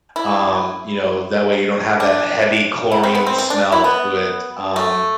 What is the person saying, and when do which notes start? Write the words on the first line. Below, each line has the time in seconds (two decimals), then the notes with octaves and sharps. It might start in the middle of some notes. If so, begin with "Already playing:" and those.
um, you know, that way, you don't have that heavy chlorine smell to it, um,
0.16 E4
2.00 D4
2.91 E4
3.03 C4
3.15 B3
3.27 C4
3.38 C4
3.50 D4
3.72 E4
3.84 B3
4.76 A3